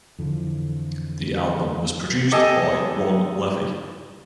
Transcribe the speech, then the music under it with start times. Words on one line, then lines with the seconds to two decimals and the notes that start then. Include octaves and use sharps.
The album was produced by Ron Levy.
0.19 F2 D3 E3 F3
2.32 G4 A4 D#5 G#5 A5